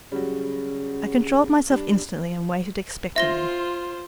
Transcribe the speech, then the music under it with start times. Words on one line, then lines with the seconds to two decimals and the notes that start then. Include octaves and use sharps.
I controlled myself instantly and waited expectantly.
0.12 C#3 F#3 G3
1.70 G3 D4
3.16 F4 C5 E5 A#6 G7